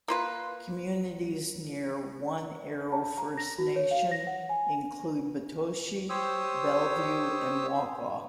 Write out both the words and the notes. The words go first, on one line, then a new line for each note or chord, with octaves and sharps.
Communities near One Arrow First Nation include Batoche, Bellevue, and Wakaw.
A#3 F4 B4
A5
A#5
A#6
F#4
C#5
F5
A#6
F#5
G#5
G4 C5 C#5 D#6 E6